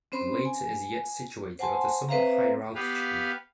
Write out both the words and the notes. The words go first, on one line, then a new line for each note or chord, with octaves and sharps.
The later is yet situated at a somewhat higher altitude.
C4 C#4 C5 B5 C6
G#5
C5 F#5 G#5 A5 C6
C4 B4 C5 E5 F5 A#5
B3 G4 B4 F5